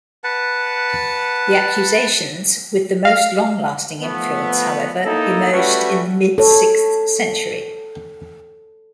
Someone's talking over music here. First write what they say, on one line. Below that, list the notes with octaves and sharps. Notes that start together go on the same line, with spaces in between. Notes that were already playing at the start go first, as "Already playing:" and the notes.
The accusations with the most long-lasting influence, however, emerged in the mid-sixth century.
B4 F#5 A5
F5
F3 A3 B3
A#3 D#4 E4 A4
G3 A3 C#4 F#4 B4
A4 C#5